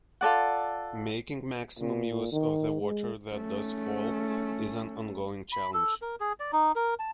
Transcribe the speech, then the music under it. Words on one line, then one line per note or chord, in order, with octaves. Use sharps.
Making maximum use of the water that does fall is an ongoing challenge.
F4 A4 D5 F#5
A#2
D#3
G#3
A3 C#4
B5
A4
A#4
G#4
D5
D#4
A#4
A5